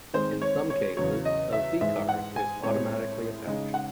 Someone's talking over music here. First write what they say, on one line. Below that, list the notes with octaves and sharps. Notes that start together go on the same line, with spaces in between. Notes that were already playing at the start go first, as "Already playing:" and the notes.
In some cases a vCard is automatically attached.
D#3 G#3 C4 C5
C#5
C#5
E2 C#3 F#3 C#5
D#5
E5
G#2 E3 G#3 E5
F#5
G#5
A2 G#3 C4 C#5
C#3 G#3 D#4 D#5
F#5